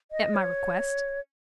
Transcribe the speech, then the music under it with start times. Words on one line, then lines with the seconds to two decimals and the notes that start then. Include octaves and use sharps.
At my request.
0.11 D#5
0.34 C#5